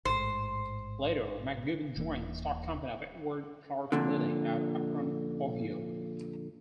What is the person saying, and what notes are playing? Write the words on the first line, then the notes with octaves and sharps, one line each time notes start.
Later, MacGibbon joined the stock company of Edward Clarke Lilley at Akron, Ohio.
A1 G#2 C5
D#1 E3 A#3
F2 A#2 D3